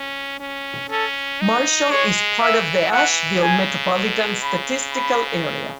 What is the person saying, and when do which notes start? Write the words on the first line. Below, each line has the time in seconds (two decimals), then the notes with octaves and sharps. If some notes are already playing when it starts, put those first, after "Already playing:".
Marshall is part of the Asheville Metropolitan Statistical Area.
Already playing: C#4
0.39 C#4
0.90 C#4 A4
1.41 D#4
1.91 G#3 C#5
2.41 E3 E5
2.91 E3 F#5
3.42 C#3 G#5
3.92 B2
4.42 C#3 B5
4.92 B5